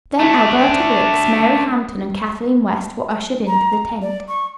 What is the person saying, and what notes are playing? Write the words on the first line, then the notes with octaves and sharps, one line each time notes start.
Then Alberta Wicks, Mary Hampton and Kathleen West were ushered into the tent.
A3 D4
A#5
D5
C#6